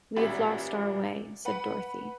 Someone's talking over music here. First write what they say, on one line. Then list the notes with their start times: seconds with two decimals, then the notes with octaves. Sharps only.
"We have lost our way," said Dorothy.
0.17 A1 A#2 F#4 G4 E5
1.45 B4 F#5 B5